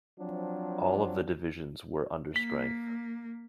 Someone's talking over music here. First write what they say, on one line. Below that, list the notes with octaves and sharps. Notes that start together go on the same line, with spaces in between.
All of the divisions were understrength.
F3 F#3 C4 D4
A#3 B6